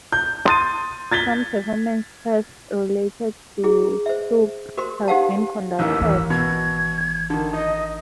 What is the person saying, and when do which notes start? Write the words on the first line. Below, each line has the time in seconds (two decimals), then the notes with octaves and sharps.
Some performance tests related to cloop have been conducted.
0.12 G6
0.46 C6 D#6 A6 D#7
1.12 G#6 A6 B6 G7
3.64 E4 G#4
4.06 C5 E5
4.77 F#4 A#4 C5 C6
5.08 D#4 G4 C5 F5 F#5 A5
5.79 A1 D#2 D#3 E6
5.98 G#1 E3
6.30 B2 G#6
7.30 D3 D#3 A5
7.53 D#4 D#5